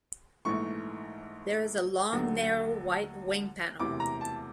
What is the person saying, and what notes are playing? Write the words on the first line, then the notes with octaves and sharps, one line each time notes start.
There is a long narrow white wing panel.
A#1 G#2 E3 A3 C#6
D#2 D3 F#3 A3
E1 D2 C3 E3 D6
A#5
A5